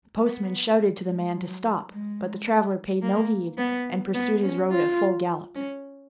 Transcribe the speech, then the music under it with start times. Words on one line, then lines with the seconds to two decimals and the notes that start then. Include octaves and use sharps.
The postman shouted to the man to stop, but the traveller paid no heed and pursued his road at full gallop.
0.23 B3
1.06 G#3
1.34 F#3
1.91 G#3
3.02 A#3
3.58 B3
4.15 B3
4.43 C#4
4.71 F4
5.55 C#4